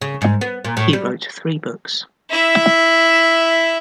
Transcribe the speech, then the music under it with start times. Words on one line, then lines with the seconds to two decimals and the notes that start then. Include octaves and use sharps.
He wrote three books.
0.01 C#3
0.22 G#2
0.41 B3
0.65 A#2
0.77 A2
0.93 G3
2.30 E4 E5